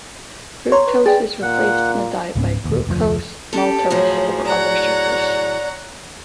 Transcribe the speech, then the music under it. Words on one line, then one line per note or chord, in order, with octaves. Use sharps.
Fructose is replaced in the diet by glucose, maltose or other sugars.
C#5 A#5 C6
B4
G#4 D5 G5 A6
A#2 F#5
C#2 G#2 B3 C#4
E1 D#2
F1 D2 F3
C#4 G4 A4
A2 F3 F#3 G#4 C#5
C#5 D5 F#5 A#5